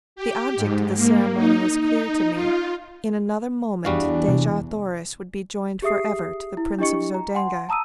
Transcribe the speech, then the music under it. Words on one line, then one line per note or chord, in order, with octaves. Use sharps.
The object of the ceremony was clear to me; in another moment Dejah Thoris would be joined forever to the Prince of Zodanga.
G4
G#2
A#3
D#4
D#4
F4
E2 E3 G3 D4 F#4 F5
C3
G4 G#4 E5 D#6 C7
E4
D4 E4 G4 D#5 C#6 C#7
A#5
F#5 G#5 C6
A5 A#5 D#6 E6 D#7